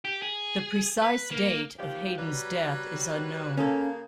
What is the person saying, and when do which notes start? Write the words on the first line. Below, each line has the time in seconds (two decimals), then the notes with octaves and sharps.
The precise date of Heydon's death is unknown.
0.05 G4
0.22 G#4
1.02 B4
1.31 A#3
1.79 D#2 F3 G4
2.18 F#3 G3 B4
3.58 C#3 A#3 C#4 A4